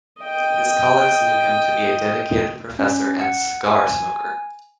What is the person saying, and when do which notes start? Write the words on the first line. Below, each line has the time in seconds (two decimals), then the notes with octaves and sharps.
His colleagues knew him to be a dedicated professor and cigar smoker.
0.21 D#5 G5
2.79 C#4
3.21 F#5
3.67 G#5